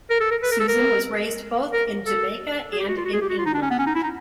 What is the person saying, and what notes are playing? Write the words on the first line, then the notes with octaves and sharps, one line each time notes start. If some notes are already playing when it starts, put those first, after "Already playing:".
Susan was raised both in Jamaica and in England.
A#4
A4
A#4
B4
A#4
A4
A#4
A#4
A4
G#4
G4
F#4
F4
F#4
G#4
G4
F#4
F4
D#4
D4
C#4
B3
C#4
D#4
E4
D#4